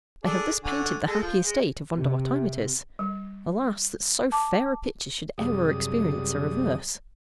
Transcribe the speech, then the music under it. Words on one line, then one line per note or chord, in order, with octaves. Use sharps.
I have thus painted the happy estate of Vondervotteimittiss: alas, that so fair a picture should ever experience a reverse!
D4 G#4 A4
D3 F#4 G#5
G#3 A4
F3
G#3
C3
G3
A5 D6
F#2 C3 G3 G#4 D5 D#6